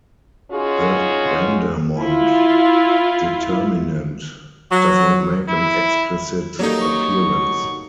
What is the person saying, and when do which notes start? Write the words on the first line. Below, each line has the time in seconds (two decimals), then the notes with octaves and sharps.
The Vandermonde determinant does not make an explicit appearance.
0.52 C#4 D#4 F4 F#4 G#4
1.98 E4 F4
4.72 F#3
5.49 E4
6.59 F#3 G3 A#3 D#4 A4
6.82 C#6